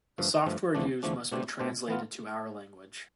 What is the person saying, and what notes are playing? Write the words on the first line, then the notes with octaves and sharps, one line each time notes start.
The software used must be translated to our language.
G2 F3 A3
G2 F3 A3
E2 D3 F3 A3 D4
E2 D3 F3 A3 D4
B2 A3 D4 G4 C5
B2 A3 D4 G4 C5
E3 B3 F4